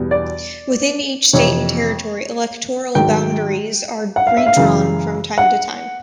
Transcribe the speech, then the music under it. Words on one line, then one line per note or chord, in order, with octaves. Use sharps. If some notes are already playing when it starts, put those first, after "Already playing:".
Within each state and territory, electoral boundaries are redrawn from time to time.
Already playing: E2 B2 G3
D5
F2 C3 E3 C#5
G#2 D#3 F#3 G5
F#5
F5
E5
F5
F#2 C#3 E3 G#3
F#5